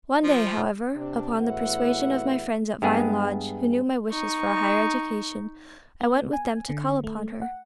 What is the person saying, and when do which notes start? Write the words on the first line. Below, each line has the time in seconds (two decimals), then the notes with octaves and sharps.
One day, however, upon the persuasion of my friends at Vine Lodge, who knew my wishes for a higher education, I went with them to call upon her.
0.23 F3
0.95 C3 D4
1.42 E2 A2 F#4 B4 E5 F#5
2.82 G2 G#3 B3 G#4
4.11 D#4 C#6
6.01 B3
6.33 G#5
6.69 D3
7.04 A3
7.42 F#5